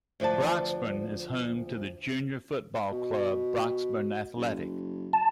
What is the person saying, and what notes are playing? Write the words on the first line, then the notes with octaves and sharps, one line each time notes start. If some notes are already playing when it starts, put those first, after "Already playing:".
Broxburn is home to the junior football club Broxburn Athletic.
D2 F3 B4 D5 A5
B2
F#1
A5